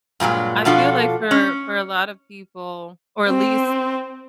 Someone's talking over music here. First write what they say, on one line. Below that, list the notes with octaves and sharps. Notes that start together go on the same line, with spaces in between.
I feel like for for a lot of people or at least
G2 A#2 F#3 G#3
B2 F3 D4 F4 F#4 A4
C#4
C4